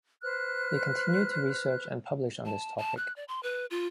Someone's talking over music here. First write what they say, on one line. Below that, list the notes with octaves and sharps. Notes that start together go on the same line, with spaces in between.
They continue to research and publish on this topic.
B4 C5 F6 F#6
A5
A5
F#6
D5
C6
B4
F4